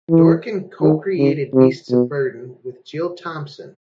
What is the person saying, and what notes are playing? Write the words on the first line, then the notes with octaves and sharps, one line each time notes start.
Dorkin co-created "Beasts of Burden" with Jill Thompson.
E3
D#3
C#3
C3
B2